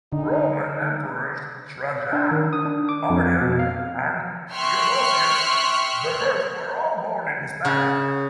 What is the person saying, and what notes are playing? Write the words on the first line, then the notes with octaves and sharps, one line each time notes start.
Roman emperors Trajan, Hadrian, and Theodosius the First were all born in Hispania.
D3 D#4
D4
D#3
D#6
D4
D6
F2
B2
F5
E5 G5 C6 C#6 F6 F#6
C#3